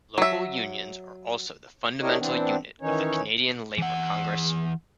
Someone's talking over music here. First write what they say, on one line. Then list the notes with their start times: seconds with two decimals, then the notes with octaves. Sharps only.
Local unions are also the fundamental unit of the Canadian Labour Congress.
0.18 F#3 E5
2.00 D4 E4 G4 A#4 C#5 D#5
2.19 E3 B3 C4 D4
2.81 D#3 E3 C#4 D#4 C#5
3.78 E3 F#5